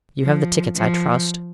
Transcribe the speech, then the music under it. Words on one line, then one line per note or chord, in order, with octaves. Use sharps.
You have the tickets, I trust?
F3
F3